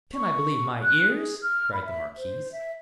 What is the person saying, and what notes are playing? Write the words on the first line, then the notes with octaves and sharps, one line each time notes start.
"Can I believe my ears?" cried the marquise.
C#6
F#6
G#4
F6
B5
E5
C5
E5